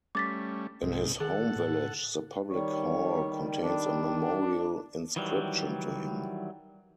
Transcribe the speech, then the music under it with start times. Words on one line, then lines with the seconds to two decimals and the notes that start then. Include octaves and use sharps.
In his home village, the public hall contains a memorial inscription to him.
0.15 G3 A3 C#4 D6 A6 B6
0.82 C2 G#2 C3
1.20 D#3 G#4 A4 F#5
1.56 A2
2.51 D#3 G3 C#5
3.64 D4
5.16 D#3 E3 F#3 G3